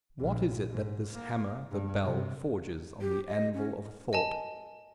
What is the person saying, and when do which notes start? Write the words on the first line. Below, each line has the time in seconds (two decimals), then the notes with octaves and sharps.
What is it that this hammer, the bell, forges on the anvil of thought?
0.20 A#1
0.69 G#2
1.13 A#3
1.71 G2
2.02 C3
3.01 G4
3.28 D#5
3.53 C#4
4.13 D#5 G#5 A5